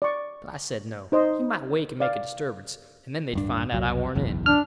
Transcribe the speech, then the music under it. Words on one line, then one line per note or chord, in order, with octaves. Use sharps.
But I said no; he might wake and make a disturbance, and then they'd find out I warn't in.
D5 C#6
D#4 C5 D#5
D5 F5
D1 G2 D4
F1 C2 F#3
F#1 B1 E2
D4 F6